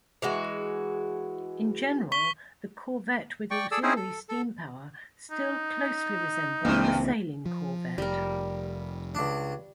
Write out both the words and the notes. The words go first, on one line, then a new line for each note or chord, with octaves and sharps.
In general the corvette with auxiliary steam power still closely resembled the sailing corvette.
E3 G#3 F#4
C#6 B6 G7
D5 G5 C#6
G#4 A4 D5 E6
C4 C#4 D#4 E4 G#4 C5
A4
A4
D#4
C#2 G2 E3 G#3 A#3 C4
F3
F1 G3 A#4
C#2 D4